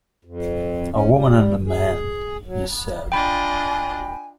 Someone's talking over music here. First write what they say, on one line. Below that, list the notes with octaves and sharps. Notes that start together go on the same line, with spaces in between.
"A woman and a man," he said.
F2
C#4
G3
G#4
F#3
D4 F4 D#5 G5 G#5 B5